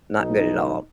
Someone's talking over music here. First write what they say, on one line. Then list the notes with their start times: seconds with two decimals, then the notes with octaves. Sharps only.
not good at all.
0.19 B1 D#4